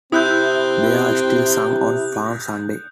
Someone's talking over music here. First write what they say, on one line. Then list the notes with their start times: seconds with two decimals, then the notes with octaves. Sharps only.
They are still sung on Palm Sunday.
0.12 C3 C4 E4 D#6 F#6 G6